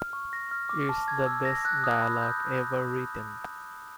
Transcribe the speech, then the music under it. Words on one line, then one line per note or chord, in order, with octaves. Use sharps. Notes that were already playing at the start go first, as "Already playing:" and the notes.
It's the best dialogue ever written.
Already playing: F6
C#6
A#6
F6
D6
A5
G#6
E6
A#6
F#6
D#6
B5
G6